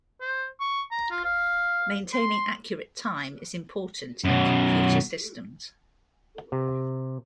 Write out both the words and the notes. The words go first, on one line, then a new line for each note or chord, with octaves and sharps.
Maintaining accurate time is important in computer systems.
C5
C#6
A#5
F4
F5
C6
F#2 B2
C3